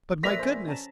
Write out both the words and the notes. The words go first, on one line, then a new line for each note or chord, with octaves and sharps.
But, my goodness!
A#1 A4 B4 D5 E5 A#6 B6 F7
C5 G#5
C#4 A5 A#5